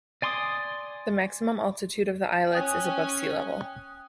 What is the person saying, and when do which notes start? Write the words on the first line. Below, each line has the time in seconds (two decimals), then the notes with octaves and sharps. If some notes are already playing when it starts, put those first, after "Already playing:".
The maximum altitude of the islets is above sea level.
0.22 D5 G#5 C6 D6 D#6
2.53 C#4 G5 G#5 D#6 F#6